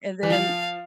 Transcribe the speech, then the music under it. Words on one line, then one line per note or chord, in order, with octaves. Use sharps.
And then
E3
F3 F5